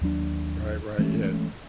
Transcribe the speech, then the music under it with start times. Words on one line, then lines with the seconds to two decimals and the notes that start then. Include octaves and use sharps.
Right, right, yeah,
0.01 D#2 F#3 D4
0.98 E3 G#3 A3 C#4